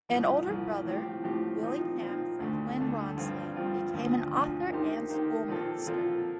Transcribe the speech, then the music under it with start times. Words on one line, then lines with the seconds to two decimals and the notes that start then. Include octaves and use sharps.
An older brother, Willingham Franklin Rawnsley, became an author and schoolmaster.
0.09 C2 A#2 F3
0.47 C2 A#2 F3
0.85 A2 F3 C4 G4
1.24 A2 F3 C4 G4
1.62 A#2 F3 C4 D#4
2.01 A#2 F3 C4 D#4
2.40 D2 D3 A3
2.78 D2 D3 A3
3.17 G2 F3 C4 F4
3.56 G2 F3 C4 F4
3.93 D2 D3 F3
4.33 D2 D3 F3
4.71 D#3 A#3 D#4 G4 C5
5.09 D#3 A#3 D#4 G4 C5
5.48 A#2 F3 C4 F4 A4
5.86 A#2 F3 C4 F4 A4